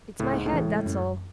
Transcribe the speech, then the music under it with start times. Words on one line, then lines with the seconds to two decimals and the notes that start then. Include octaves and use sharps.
It's my head, that's all.
0.19 C#2 A2
0.33 G#2
0.46 A2
0.52 C#3 E3 G#3
0.86 F#2